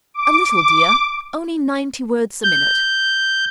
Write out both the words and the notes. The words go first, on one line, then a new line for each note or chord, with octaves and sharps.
'A little, dear; only ninety words a minute.'
D6
D6
G6